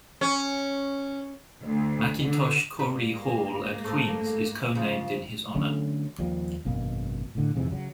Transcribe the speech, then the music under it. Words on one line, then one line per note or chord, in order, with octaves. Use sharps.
Mackintosh-Corry Hall at Queen's is co-named in his honour.
C#4
D2
D3
G#2 G3 A#3
A3 A4 A#4
C#3 F3
D3 F#3 A3 C#4
D#2 F3 G3 A#3
G#1 F#2 B2 A#3
A2 D3
F2 G#2 C3 E3
C#3 F#3